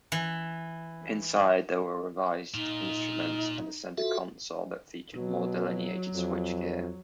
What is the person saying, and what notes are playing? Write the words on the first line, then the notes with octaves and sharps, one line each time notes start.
Inside, there were revised instruments and a centre console that featured more delineated switchgear.
E3
A#2 D#4 F4
F4 F#4 A4 E5
B2 F#3
F2